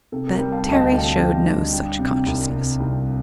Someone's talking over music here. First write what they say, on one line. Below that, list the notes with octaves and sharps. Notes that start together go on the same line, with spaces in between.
But Terry showed no such consciousness.
C3 A4
A4
A#4
G3
F5 A5
D2 A5
D#5 G5
G5
D2 F5 A5
G3
D4
G3
C3
C2
C3
C2